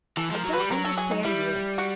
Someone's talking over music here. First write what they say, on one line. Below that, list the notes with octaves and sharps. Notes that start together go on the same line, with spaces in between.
"I don't understand you."
E3 A4
F3 A#4
F#3
G3 B4
F#3 A#4
A4
G#4
D#4
G3 E4
F#4